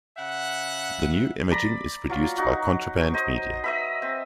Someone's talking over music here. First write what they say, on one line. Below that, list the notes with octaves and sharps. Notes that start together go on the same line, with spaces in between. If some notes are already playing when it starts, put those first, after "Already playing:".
The new imaging is produced by Contraband Media.
C#3 E5 F#5
D5 A#5 B5
F#3 F4
D#4 F#4
C5 D#5
D#5 E5 B5
C4